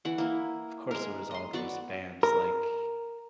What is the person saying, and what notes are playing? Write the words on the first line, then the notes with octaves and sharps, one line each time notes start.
of course, there was all those bands like
E3 F#5
A#3 E4
G#3 A#4
D#5 C6
B3 F#4 D5 C#6
A#4